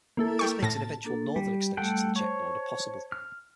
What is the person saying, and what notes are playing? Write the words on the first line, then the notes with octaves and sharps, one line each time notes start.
This makes an eventual northern extension to the Czech border possible.
A#3 E4 A4
G5 C#6
A2 A5 A#6
A#3 D4 A4
G3 G5
G3 A3 A4 F#5 G5
C5 C#5 A5
F6